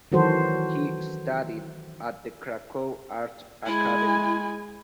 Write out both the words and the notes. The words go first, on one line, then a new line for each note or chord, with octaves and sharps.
He studied at the Cracow Art Academy.
D#3 E3 F#3 F#4 A4 C5
G#3 E4 G#5